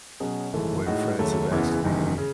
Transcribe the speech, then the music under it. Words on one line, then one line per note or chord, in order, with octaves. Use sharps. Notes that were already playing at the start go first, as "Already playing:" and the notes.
when friends have asked me,
B2 F#3 C#4 G#4
G#1 F#2 C#3 E3 A3
A2 G#3 D#4 F#4
D#2 C#3 F#3 A3
F#1 E2 C#3 E3 B3
F#1 E2 D#3
C#3